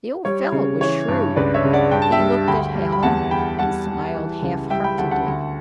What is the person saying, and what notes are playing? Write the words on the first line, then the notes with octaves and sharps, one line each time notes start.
The old fellow was shrewd--he looked at Hallen and smiled half-heartedly.
G3 C#5
C#3
E3 C#5
G2
C#2 B4 D5
C#5 E5
C#3
D5 F#5
G2 G5
A5
E5 G5
G3
D2 G5 B5
G3
B5
E2 F#5 A5
E2 G5 B5
G3 F#5 A5
G3
E3
C#2
G3 E5 G5
G5 B5
D2 F#5 A5
F#5 A5
D2